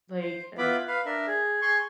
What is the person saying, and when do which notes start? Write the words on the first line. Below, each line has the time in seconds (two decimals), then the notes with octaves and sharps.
Like, uh
0.21 C5
0.58 B3 E4 F4 B4 B5 D6
0.87 B4 F5
1.06 D4 A#4 E5
1.27 G#4
1.62 G#4 G#5 C6 C#6